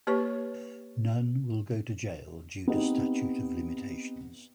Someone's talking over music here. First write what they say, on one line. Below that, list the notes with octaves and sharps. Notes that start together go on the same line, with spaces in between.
None will go to jail due to statute of limitations.
A#3 G4 B4 C#5 C#6
B3 C4 D#4 G4